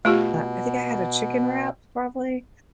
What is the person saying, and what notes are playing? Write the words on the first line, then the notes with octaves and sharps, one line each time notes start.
I think I had a chicken wrap, probably?
B2 A3 F4 G4